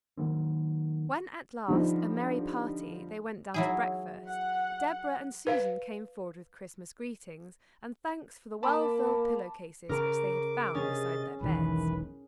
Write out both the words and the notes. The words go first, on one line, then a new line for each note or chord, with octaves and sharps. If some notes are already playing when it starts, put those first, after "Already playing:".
When at last, a merry party, they went down to breakfast, Deborah and Susan came forward with Christmas greetings, and thanks for the well-filled pillow-cases which they had found beside their beds.
D#3 F#3 A#3 C4
D3 F3 G3 C4 D#4
F#3 E4 G#4
F#5
B4 F5
A#3 A5 B5 D6
C#3 A#4 A#5 D6
C3 C#4 G#4 D#5 A6
E1 B1 D#3 E3 B4